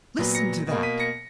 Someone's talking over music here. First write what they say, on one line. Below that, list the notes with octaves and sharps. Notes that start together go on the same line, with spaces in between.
Listen to that!
A#2 F#3 B3
A#6 C#7
B2 A#3
B6 D#7
A#6 C#7